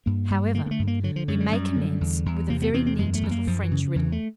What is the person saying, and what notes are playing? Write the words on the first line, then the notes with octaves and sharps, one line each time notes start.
However, we may commence with a very neat little French riddle.
G2 A#3
G2
D3 A#3
A#3
A3
G2
A#3
D3 F#3
F3
F#2 F#3
G3
F#2
D3
E2
E2
C3 A#3
B3
E2 C4
C4
F#2 G#3
A3
F#2
A#3
F#2 F3
E3
C#3
E2 E3
A3